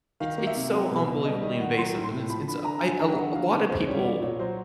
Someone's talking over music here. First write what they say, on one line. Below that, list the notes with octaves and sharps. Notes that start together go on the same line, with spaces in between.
it's it's so unbelievably invasive, and it's it's a I uh, l a lotta people,
D#3 F5
A#3
E5
C3
F#3
B2
B2
G3 D#5
D#3 D#5
D#3 F#5
F#3 C6
A2
C6
A2
F3 B5
D3 B5
D3 A#5
F#3 G#5
D3 A#5
D3 F#5
F#3 F5
C#3 B4
C#3 C5
G3 C#5
A#2 D5
A#2 C#5
F#3 C5